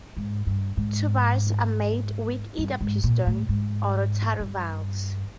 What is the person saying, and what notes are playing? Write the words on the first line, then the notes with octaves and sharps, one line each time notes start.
Tubas are made with either piston or rotary valves.
G#2
G2
G#2
G2
G#2
A#2
A2
G#2
G2